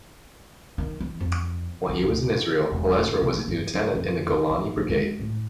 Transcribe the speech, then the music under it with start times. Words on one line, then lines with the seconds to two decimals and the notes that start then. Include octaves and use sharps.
While he was in Israel, Elezra was a lieutenant in the Golani Brigade.
0.78 D#3
1.00 E3
1.20 F2
1.89 D#3
2.03 D2
2.72 E1
3.06 E2
3.21 C3
3.33 A#3
3.48 G2
3.74 F#2
3.95 F2
4.31 D4
4.50 E3
4.77 F3
4.89 G#3
5.19 A2